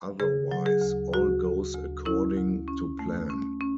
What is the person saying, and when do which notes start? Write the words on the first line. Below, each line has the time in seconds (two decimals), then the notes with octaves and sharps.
Otherwise, all goes according to plan.
0.20 C#3 G#4
0.51 F#3
0.66 G#4
0.82 D2
1.13 D2 F#4
1.44 D2
1.75 D2
2.05 C#4 E4
2.37 D2
2.68 C#4
2.99 A3
3.30 C#4
3.61 C#4